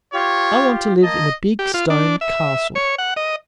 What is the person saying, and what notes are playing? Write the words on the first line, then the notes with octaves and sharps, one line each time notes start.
I want to live in a big stone castle.
F4 G4 C#5
A#3 D#5 A5
G4
F4
D4
E5
C#5
F#5
D#5